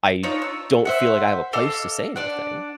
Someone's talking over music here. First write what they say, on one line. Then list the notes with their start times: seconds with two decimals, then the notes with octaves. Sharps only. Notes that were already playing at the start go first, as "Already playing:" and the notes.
I don't feel like I have a place to say anything
0.23 D4 D#4 F4 C#5
0.42 E6
0.85 C5 E5 F#5
1.53 A4 D#5 F5 D6
2.16 D4 D5 F#5